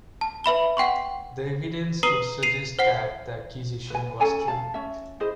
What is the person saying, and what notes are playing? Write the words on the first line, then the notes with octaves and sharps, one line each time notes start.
The evidence would suggest that the accusation was true.
A5
B4 E5 B5 G7
F#5 G5 C6 C#6
B4 A#5 D#6 C7 D#7 G7
C7 D#7 F7
C5 F#5 C7
B4 G#5
C#4 A4 G#5 A#5
F5 A5
C#4 E5
E4 G#4 C5 D#5